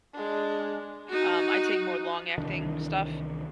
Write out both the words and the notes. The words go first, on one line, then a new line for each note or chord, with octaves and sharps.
um, I take more long-acting stuff,
G#3 D4
D#4 F#4
C2 D#3 E3 D4